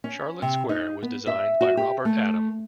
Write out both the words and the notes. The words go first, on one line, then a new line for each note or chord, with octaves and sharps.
Charlotte Square was designed by Robert Adam.
C#4
C3
D#4
B3
E5
F#4
G4
A3